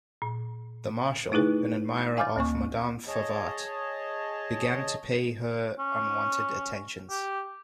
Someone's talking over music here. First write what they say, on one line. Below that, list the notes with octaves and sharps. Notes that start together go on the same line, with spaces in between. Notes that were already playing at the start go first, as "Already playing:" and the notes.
The marshal, an admirer of Madame Favart, began to pay her unwanted attentions.
A#2
A3 D#4 E4 G#4 B4
F5 G#5 D6 F6 G6 A6
D2 A#3 G#5 C#6
G#4 C#5 D#5 A5
C#4
G4